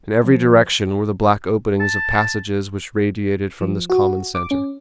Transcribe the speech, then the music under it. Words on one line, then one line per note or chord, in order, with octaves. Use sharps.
In every direction were the black openings of passages which radiated from this common centre.
F3
A5
F3
F#4
D6
C#4